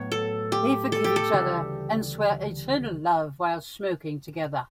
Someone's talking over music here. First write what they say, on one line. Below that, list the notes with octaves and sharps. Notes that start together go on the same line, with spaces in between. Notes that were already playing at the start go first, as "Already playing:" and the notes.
They forgive each other and swear eternal love while smoking together.
Already playing: A2 F#3 B3 C#5
A4
G4
A4
G4
A4
D2 C#3 E3 G3